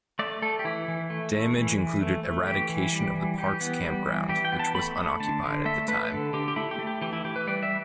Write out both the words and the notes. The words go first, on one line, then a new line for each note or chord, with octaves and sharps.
Damage included eradication of the park's campground, which was unoccupied at the time.
A3 D5
A3 A4
G4
E3 E4
E3
A3
A3
E3
E3
A3
A3
E3 G4
E3
G3
E3
E3 G4
B3
G3
E3
E3 G4
G5
B3
A5
A3 B5
A3
D3 A5
D3
A3 E5
A3 B4
D3 A4
D3 G4
G4
A3 E4
G4
A3
G4
E3 G4
E4
E3 G4
B4
G3 D5
E5